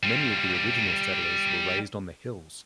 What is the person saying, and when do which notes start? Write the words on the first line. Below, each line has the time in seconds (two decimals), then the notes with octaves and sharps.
Many of the original settlers were raised on the "hills".
0.03 G3 F4